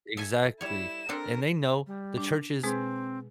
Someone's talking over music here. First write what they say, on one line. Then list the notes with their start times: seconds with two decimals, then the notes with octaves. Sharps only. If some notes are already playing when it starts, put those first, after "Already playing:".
exactly, and they know the churches,
0.17 A4 E5 G#5
0.61 G3 E4 C#5 E7
1.09 C4 D4 A4 A#4
1.87 G3
2.18 D4
2.63 B2 G#3 C4 G#4